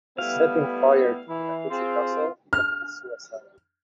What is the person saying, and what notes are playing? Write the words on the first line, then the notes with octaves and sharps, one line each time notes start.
Setting fire to Minakuchi Castle, he committed suicide.
G3 A3 B3 E4 F5
E3 E4
C4 F4 G#4
F6